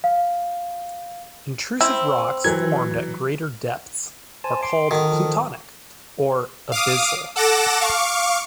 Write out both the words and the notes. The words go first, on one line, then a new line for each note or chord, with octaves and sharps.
Intrusive rocks formed at greater depths are called plutonic or "abyssal".
F5
C4 E4 E6
E3 F#3 G#6
C5 G#5 A5
C6 D6
D#3 F#4 A4
F3 A4
F5 D6 D#6
A4 F#5 D6 A#6 E7
F5 C#6 D6